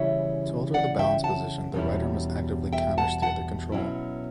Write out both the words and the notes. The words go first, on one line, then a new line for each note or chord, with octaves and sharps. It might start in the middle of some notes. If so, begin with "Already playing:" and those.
To alter the balance position the rider must actively countersteer the control.
Already playing: C#3 E3 G3 C#4 E4 C#5 E5
D5 F#5
E5 G5
F#5 A5
E2 B2 G3 C#4 E4
E5 G5
F#5 A5
F#5 A5
B2 F#3 C#4 E4